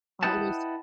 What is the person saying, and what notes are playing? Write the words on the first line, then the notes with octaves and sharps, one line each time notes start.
I'm almost
E4 B4 D#5 F#5 G5 A5